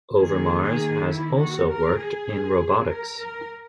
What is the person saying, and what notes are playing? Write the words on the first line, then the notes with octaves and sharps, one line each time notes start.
Overmars has also worked in robotics.
D#3 A#3 G#4
G#4
E4
F#4
A#4
G#4
A#4
A#4